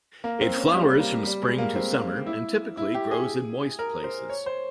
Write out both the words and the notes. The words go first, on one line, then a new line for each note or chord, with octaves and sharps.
It flowers from spring to summer and typically grows in moist places.
A#3
C4
C#4
G3
A#3
G3
G#3
A#3
C4
E4
E4
G4
G#4
A#4
C5
C#5
C5